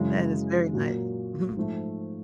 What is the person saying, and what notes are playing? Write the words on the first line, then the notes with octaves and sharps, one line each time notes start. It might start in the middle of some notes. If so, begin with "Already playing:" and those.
That is very nice mhm.
Already playing: F#2 C#3 E3 G#3
A#2 F#3 A#3
G#2 F3 A3